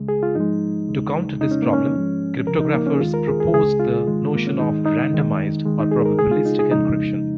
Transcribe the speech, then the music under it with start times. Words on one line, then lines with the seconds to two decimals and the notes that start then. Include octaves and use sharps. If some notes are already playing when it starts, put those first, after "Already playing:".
To counter this problem, cryptographers proposed the notion of "randomized" or probabilistic encryption.
Already playing: C#2 C#3 G#3
0.08 G#4
0.23 F4
0.35 G#2 F3 G#3 D#4
0.88 D#2 C#3 G#3
1.41 F2 C#3 G#3 D#4
1.51 C#4
1.62 A#3
1.73 C#4
1.94 G#2 F3 G#3
2.47 C#2 C#3 F3 A#4
2.60 D#4
2.74 A#3
2.87 C#4
2.94 G#4
3.00 D#2 D#3 G#3 F4
3.14 A#4
3.27 G#4
3.40 G#4
3.53 C#2 C#3 G#3 G#4
3.80 F4
4.06 G#2 D#3 G#3
4.35 A#3
4.47 C#4
4.59 G#2 D#3 G#3 D#4
4.86 D#4
5.13 F2 D#3 G#3
5.65 D#2 D#3 G#3
5.80 D#4
5.92 G#4
6.05 A#4
6.19 C#2 C#3 G#3 G#4
6.31 F4
6.46 D#4
6.59 G#4
6.71 F2 C#3 F3 G#3 D#4